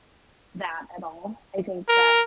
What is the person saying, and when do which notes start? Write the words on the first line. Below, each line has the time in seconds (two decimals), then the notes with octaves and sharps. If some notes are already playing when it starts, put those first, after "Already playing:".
that at all. I think that,
1.89 A#4